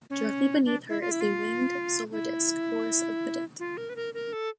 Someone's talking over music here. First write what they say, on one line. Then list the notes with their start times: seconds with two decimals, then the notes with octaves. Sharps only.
Directly beneath her is the Winged Solar Disk, Horus of Behdet.
0.10 C#4
0.65 D4
0.89 E4
1.01 F4
1.11 E4
1.21 F4
2.12 E4
3.60 F4
3.77 A#4
3.90 B4
3.96 A#4
4.14 A#4
4.33 A4